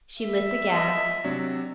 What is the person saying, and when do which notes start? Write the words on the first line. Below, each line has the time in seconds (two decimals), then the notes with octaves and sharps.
She lit the gas.
0.18 E5
0.76 D#5
1.24 C3 F#3 D4